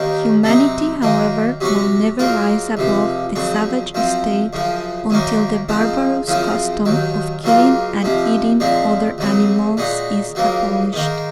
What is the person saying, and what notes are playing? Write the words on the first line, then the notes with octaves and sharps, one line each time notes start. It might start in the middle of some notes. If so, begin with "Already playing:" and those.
Humanity, however, will never rise above the savage state until the barbarous custom of killing and eating other animals is abolished.
Already playing: D#2 D#3 A#3 C#4
C3 F#3 C4 D#4
F#2 D#3 A#3
C3 F#3 C#4 F#4
G#2 F#3 A#3 F4
C#2 C3 F3
F2 C#3 F#3 C4
F#2 F3 C4
F#2 C#3 F3
F#2 D#3 A#3 C#4
G#2 F3 C4
F#2 C#3 F3 C4 F4
D#2 D#3 F#3
C#2 C#3 F#3 A#3 F4
F2 C3 F3
A#2 F3 G#3 C4
C#2 C#3 F#3 C4
A#2 G#3 D#4 F#4
C#2 C#3 F#3 A#3
G#2 D#3 A#3